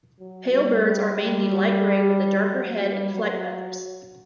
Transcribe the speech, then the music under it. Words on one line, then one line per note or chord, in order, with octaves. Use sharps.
Pale birds are mainly light grey with a darker head and flight feathers.
F#3
G3
G3
F#3
G3
F#3